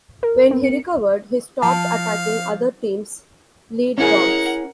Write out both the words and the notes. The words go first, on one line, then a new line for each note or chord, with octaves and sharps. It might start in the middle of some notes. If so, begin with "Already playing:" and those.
When he recovered, he stopped attacking other teams' lead dogs.
A#4
C4
C#7
F3 F5 A5
C#4 E4 G#4 A#4 F#5